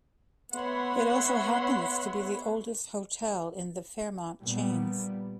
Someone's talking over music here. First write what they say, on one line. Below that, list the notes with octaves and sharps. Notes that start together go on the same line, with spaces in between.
It also happens to be the oldest hotel in the Fairmont chains.
B3 C#5 E5 F#5 B5 C6
A#2 G3 B3